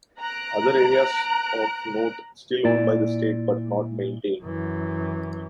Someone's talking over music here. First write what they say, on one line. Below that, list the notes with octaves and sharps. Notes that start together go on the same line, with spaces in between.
Other areas of note still owned by the state but not maintained.
A#5 F#6 D7
A#2 E4 D5
F#2 E3